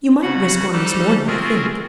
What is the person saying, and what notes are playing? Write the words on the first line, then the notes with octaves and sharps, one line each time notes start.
You might risk one this morning, I think.
C#3 F#4 F#5 B5
G3 D#4 G4 A4 C5 F#6
C4 C#4 F4 F#4 G#4 A#4